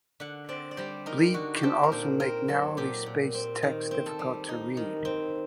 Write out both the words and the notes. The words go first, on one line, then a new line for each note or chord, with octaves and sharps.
Bleed can also make narrowly spaced text difficult to read.
D3 F#5
C4 D5
D5
G3 C5
D#4 A#4
D3 F#4
G4
C4 A4
A#4
A#2 C5
C4 A#4
F#3 A4
A#2 G4
A#2
C4
D#3
C4
A4
G3
D#4
D#3
C4